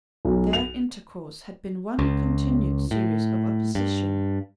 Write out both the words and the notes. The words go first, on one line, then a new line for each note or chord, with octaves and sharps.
Their intercourse had been one continued series of opposition.
B1
F7
C#2
A2
G2